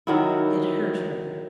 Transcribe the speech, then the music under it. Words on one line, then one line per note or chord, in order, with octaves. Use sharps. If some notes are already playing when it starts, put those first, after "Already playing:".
It hurt her.
D#3 F#3 E4